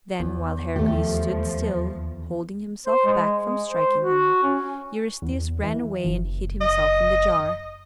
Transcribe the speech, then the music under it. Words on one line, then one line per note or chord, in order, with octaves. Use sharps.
Then while Heracles stood still, holding himself back from striking him, Eurystheus ran away and hid himself in the jar.
E2
D#2 F3 A3 G4
C5
G#3
G#3
C5
F#4
C#4
E2
E3
F#1
D#5